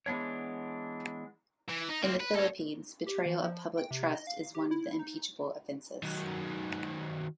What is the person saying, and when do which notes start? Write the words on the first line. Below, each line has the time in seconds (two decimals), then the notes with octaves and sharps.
In the Philippines, "betrayal of public trust" is one of the impeachable offenses.
0.06 E3 G#3 B3 D4 C#5
1.68 E3
1.89 D#4
2.02 A#3 C4
2.20 B4
2.35 A4 C#5
3.07 G4
3.26 E3
3.44 F3
3.78 G5
3.91 C3
4.15 D#5
4.27 F5
4.55 G4
4.71 E4
4.99 D#4
6.03 D#3 F#3